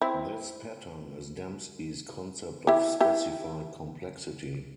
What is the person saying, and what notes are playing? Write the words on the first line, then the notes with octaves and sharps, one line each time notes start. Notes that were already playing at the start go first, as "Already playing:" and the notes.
This pattern is Dembski's concept of specified complexity.
C4 E4
E4 G4
E4 G4